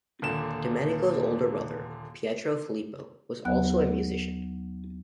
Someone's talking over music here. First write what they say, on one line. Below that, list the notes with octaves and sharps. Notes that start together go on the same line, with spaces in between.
Domenico's older brother Pietro Filippo was also a musician.
D#1 A#2 D3 E7
D#2 F#3 B3 F#5 F#6